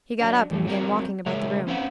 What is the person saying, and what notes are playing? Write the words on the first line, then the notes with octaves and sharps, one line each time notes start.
He got up and began walking about the room.
F#3 D4
F2 A2 E3 A4
F#3 G3 C4 A#4
C#3 G#3 A#4 C#5 E5
C4 C#4 B4 C5 F5 F#5